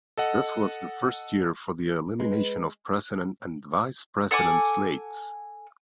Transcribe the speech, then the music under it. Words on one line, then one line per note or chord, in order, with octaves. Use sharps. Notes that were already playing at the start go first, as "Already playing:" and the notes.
This was the first year for the elimination of President and Vice President slates.
A4 D#5 F#5
G#3 B4
A4 F#5 G#5 D6